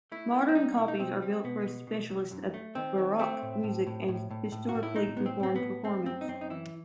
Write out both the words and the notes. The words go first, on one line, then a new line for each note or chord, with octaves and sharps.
Modern copies are built for specialists of baroque music and historically informed performance.
A3 E4
A3
C4
G3 D#4
B2 E4
D#4
B2 C4
G3
B2 B3
B2
B2
F#3
F#2
A3
D#3 C4
D#3
A3 C4
A2
A2
A2
A2
A2
A2
F#4
A2
E4
A2 D#4
A2 B3
C4
A2 C4
B3
A2
A3 C4
F#2 C4
D#4
F#2 C4
D#4
E3 E4